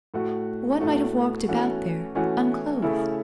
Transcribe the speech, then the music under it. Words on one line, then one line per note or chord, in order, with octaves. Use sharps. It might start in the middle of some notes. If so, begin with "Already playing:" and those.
One might have walked about there, unclothed.
A2 A3 F#4
A2 A3 F#4
E3 A3 C#4 F#4
E3 A3 C#4 F#4
C#3 A3 C#4 E4